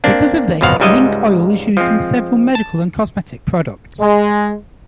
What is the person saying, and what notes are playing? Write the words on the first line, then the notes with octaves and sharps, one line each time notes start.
Because of this, mink oil is used in several medical and cosmetic products.
A#3 C4 D4
B1 F2 B2 C5 F5 F#5
C#2 G#2 G3 G#3 D#5 E5
F3 G#3 C4
A5
G#3